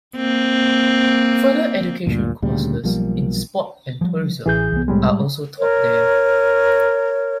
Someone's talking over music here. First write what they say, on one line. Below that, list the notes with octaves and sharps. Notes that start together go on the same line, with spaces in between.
Further Education courses in sport and tourism are also taught there.
A#3 C4
D2 G2 A#2
D2 A#2 C#3 G3
B1 F3 G3 A#3
F3 G3
A1 E3 G#4 G6
C2 B3
A2 G3 G#3
A#4 C#5